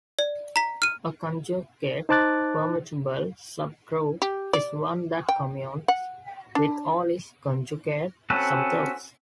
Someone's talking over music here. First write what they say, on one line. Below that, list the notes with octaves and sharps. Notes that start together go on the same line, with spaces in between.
A conjugate permutable subgroup is one that commutes with all its conjugate subgroups.
D5
A#5 B6
F6 D#7
D#4 C5 A5 D6 F#6 A6
G4
D5
G5
F#5
D4
C4 C#4 F#4 A4 B4